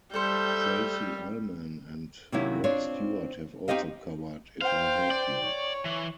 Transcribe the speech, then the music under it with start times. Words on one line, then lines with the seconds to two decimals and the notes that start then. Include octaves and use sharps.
Tracey Ullman and Rod Stewart have also covered If I Had You.
0.14 G3 A3 A4 C5 E6 G6
2.32 C3 D#3 F#3 A#3 C#4 E4
2.64 C4 D4 F4 C#5
3.68 C4 D#4 G4 D#5 F5
4.61 C5 F5 G5
5.11 D5
5.45 C#5
5.85 E3